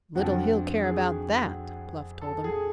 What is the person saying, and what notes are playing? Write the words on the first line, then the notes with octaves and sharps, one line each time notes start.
"Little he'll care about that," Bluff told him.
F2 D3 F3 F#4
G#4
A4
G#4